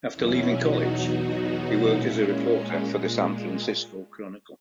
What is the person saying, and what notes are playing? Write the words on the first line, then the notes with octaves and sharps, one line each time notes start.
After leaving college, he worked as a reporter for the "San Francisco Chronicle".
E2 B2 F#3 C#4 E4
D#4 F#4
A#2 G#3 C#4 E4
C#4